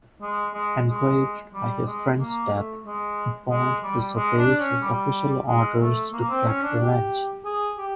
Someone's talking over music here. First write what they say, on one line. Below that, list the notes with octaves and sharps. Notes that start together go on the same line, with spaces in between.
Enraged by his friend's death, Bond disobeys his official orders to get revenge.
G#3
G#3
G#3
G3
G#3
A#3
A3
G#3
G#3
G3
G#3
D4
C#4
G3
G#3
A3
A#3
C4
C#4
D4
G4
G#4
G4